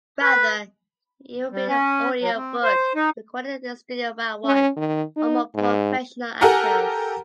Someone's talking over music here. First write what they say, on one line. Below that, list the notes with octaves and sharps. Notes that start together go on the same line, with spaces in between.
Rather, it will be an audio-book, recorded in a studio by one or more professional actors.
B4
G3
C#4
F#3
C4
C5
D#4
C#4
D#3
D#4
G#2
G4 A4 A#4 F#5 G#5 A#5